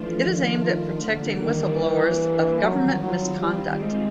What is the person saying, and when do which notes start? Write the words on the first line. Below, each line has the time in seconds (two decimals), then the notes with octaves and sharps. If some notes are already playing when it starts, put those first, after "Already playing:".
It is aimed at protecting whistleblowers of government misconduct.
Already playing: E3 F3 A3 D4 F4
0.24 D#3
1.03 D3 E3 G3 A#3 D4
1.43 D#3
1.82 E3
2.61 D#3 F#3 G3 C4 F4
3.01 F#3
3.40 G3
3.80 G#3